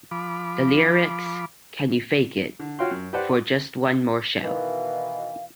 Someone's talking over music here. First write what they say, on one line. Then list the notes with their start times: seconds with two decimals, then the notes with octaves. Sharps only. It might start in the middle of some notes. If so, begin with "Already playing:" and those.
The lyrics Can you fake it, for just one more show?
0.11 F3 B5 D6
2.59 D3
2.79 F4 F#4 C#5 F5 G5 C6
2.91 F#2
3.13 G4 B4 C5 D5 F#5
4.43 B2 D#3 E3 F5